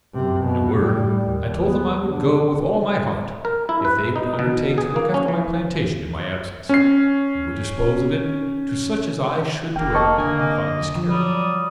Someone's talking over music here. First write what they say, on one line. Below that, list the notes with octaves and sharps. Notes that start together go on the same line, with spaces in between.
In a word, I told them I would go with all my heart, if they would undertake to look after my plantation in my absence, and would dispose of it to such as I should direct, if I miscarried.
F#2 C3
B2
A2 G3
D#2
B3
D3
A#4
E4
B4
D#4
B2
G#4
A#3
C#4
E3
C#4 C7
F1 A#3 G5
D#5 A5 C#6
D3 G#5
C3 D#5
F3
F#3 G3 D5 D#6